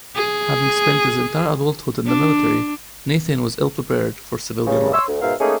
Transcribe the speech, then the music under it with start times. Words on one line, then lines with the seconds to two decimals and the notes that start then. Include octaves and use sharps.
Having spent his entire adulthood in the military, Nathan was ill-prepared for civilian life.
0.16 G#4
2.07 D4
4.66 G2 C#3
4.94 C#5 C6 E6
5.08 D2
5.21 G#2 B2 A#4 E5 F5
5.40 A3 A#3 C#4 D#4 G#4